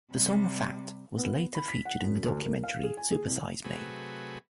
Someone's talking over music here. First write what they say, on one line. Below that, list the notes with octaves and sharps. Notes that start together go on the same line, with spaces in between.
The song "Fat" was later featured in the documentary "Super Size Me".
C3 G3
B3
B5
B6
F#5
F#2
D2
A#4
F5
G#4
G#5
G#4
C2
C3 F#3 A3 G#4 B4